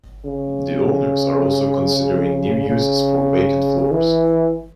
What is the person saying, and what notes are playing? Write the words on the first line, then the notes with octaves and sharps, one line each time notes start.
The owners are also considering new uses for vacant floors.
C#3
C#3
E3